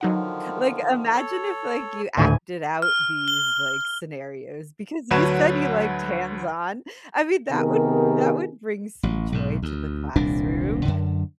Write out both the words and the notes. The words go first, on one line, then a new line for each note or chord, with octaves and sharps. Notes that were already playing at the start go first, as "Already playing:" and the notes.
like, imagine if, like, you acted out these, like, scenarios because you said you liked hands-on, I mean, that would that would bring some joy to the classroom
D3 D#3 F3 F#3 D#4 F#5
A4 C#5
D#1 D2 A2 D3 G#5
F6
G7
D2 D3 F#3 B4 C#5 E7
C3 D#3 B3 G4 G#4 A#4
A1
B1 G#2
D2
D#1 C2 A#2 D4
F#2 D3